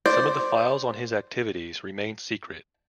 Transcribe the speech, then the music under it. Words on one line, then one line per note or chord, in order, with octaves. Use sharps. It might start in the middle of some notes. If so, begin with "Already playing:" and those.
Some of the files on his activities remain secret.
C5 D5